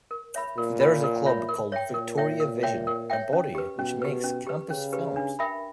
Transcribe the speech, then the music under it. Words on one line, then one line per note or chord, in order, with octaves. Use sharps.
There is a club called "Victoria Vision" a body which makes campus films.
A#4
C#5 E5 B5
A#2 A#4
C#5 E5 B5
A#4
C#5 E5 B5
A#4
C#5 E5 G5
A#2 A#4
C#5 E5 G5
A#4
C#5 E5 G5
A#4
C#5 E5 G5
C#4
G4 B4
B2 C#4
G4 B4
C#4
G4 B4
C#3 C#4
G4 B4
D4
A#4 E5 G5 B5